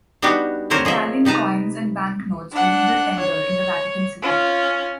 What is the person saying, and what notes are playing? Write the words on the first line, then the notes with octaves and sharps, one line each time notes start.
Italian coins and banknotes were legal tender in the Vatican City.
G3 B3 D4 D#4 F#4 G4
D3 C4 G4 A#4 C5 C#5
F3 G#4 D#5 E5
C3 D#4 B4 A5 A#5
D4 F#5
C#5
C#4 F4